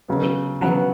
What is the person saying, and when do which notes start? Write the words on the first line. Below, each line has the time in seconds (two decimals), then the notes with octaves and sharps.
I I
0.08 C#3 F#3 B3
0.61 C#3 F#3 B3 F#5